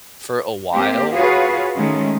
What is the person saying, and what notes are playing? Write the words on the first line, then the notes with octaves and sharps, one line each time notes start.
for a while,
A#3 C4 G4
F4 F#4 G#4 B4 C#5 F5
D#3 G#3 A3 C#4